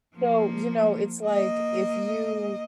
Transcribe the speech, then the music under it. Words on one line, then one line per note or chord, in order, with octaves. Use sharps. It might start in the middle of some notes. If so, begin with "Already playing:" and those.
So, you know, it's like if you
F3 A#3
A#3 D#5